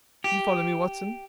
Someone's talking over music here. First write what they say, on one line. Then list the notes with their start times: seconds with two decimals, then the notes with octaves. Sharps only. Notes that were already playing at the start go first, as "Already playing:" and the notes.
You follow me, Watson?
0.24 G4